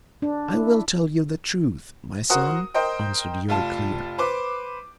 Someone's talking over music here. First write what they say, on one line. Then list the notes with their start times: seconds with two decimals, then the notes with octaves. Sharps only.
"I will tell you the truth, my son," answered Euryclea.
0.22 D4
0.54 E4
2.30 F#4 A#4 C5 D#6
2.74 A#4 C5 D#5 G5
3.48 F1 F4 A5
4.18 B4 C5 D6